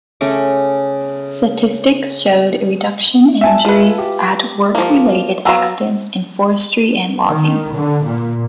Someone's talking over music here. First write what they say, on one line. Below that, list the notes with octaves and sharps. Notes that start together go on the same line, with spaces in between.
Statistics showed a reduction in injuries at work-related accidents in forestry and logging.
C#3 A3 C#4 D6
E5 G#5 A5
F4 B4
G4
F3 A#3
F#3 B3 F5 A#5 E6
D#3
D3
A#2